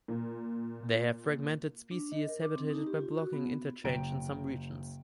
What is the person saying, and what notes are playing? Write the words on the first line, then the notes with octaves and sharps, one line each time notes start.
They have fragmented species habitat by blocking interchange in some regions.
A#2
D4
D#5
A#4
D6
C4
D#4
G4
F4
F#4
B3
F#1 G5 A#5 D7